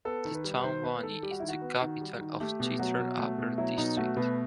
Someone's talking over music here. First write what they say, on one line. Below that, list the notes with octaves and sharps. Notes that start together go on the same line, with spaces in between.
The town Buni is the capital of Chitral Upper district.
B3 A4
D#3
B4
G3
B4
D#3 C5
B3 B4
D#3 A4
G3 G4
F#4
D#3 E4
F#4
B3
D#3
G3
D#3
A3 G4
B2 G4
F#3 F#4
B2
A3
B2
F#3 E4
B2 D#4
A3 F#4
B2 B4